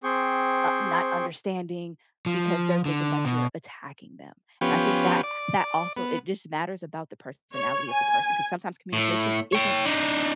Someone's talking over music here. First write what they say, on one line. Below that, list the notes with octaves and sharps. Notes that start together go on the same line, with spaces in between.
n uh, not understanding because they're thinking that you're attacking them. And I think that h that also it just matters about the personality of the person 'cause sometimes communication isn't
C4 G#4 C5 G5 C#6
F3
D3
B2
F3 B3 C#4 G4
D5
B3
C#5
G#5
A2
C#5 G5
D4 D#4